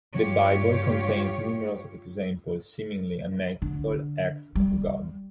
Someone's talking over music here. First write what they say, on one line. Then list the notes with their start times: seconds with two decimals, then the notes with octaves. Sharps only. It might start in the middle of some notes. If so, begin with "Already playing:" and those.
The Bible contains numerous examples seemingly unethical acts of God.
0.15 G2 F4 G4 C#5
3.62 D3
4.55 G3